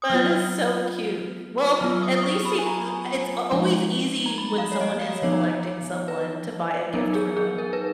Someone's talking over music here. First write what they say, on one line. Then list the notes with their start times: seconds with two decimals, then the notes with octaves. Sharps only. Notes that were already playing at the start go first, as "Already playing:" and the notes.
That is so cute. Well, at least he eh it's a always easy when someone is collecting someone to buy a gift for them.
0.02 D#6
0.10 F#3 B3 F4 F6
1.80 F#3 B3 F4 F6
2.03 D#6
2.17 D#6
2.23 C#6
2.45 B5
2.59 G#5
2.66 A#5
3.52 F3 G#3 D#4
4.26 A#5
4.38 B5
4.58 F5
4.72 C#5
4.81 D#5
5.01 F5
5.22 F3 B3 D#4 C#5
6.08 B4
6.93 F#3 B3 D#4 A#4
7.15 G#4
7.37 G#4
7.58 A#4
7.73 B4